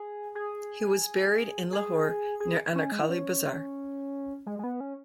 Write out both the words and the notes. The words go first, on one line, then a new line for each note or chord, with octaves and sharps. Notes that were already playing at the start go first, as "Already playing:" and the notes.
He was buried in Lahore near Anarkali Bazaar.
Already playing: G#4
G#4
G#4
G#4
C#4
G#3
E4
C#4
G#3
G#3
B3
C#4